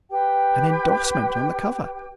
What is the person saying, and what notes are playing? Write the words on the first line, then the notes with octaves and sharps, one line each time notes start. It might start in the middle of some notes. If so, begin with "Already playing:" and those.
An endorsement on the cover!
G4 B4 G5